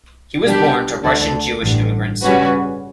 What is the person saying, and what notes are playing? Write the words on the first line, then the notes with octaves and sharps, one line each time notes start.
He was born to Russian Jewish immigrants.
B2 G3 D4 G4
D2 D3 A3 D4 A4
A1 G2 D3
C#3 G3 C#4 F#4 B4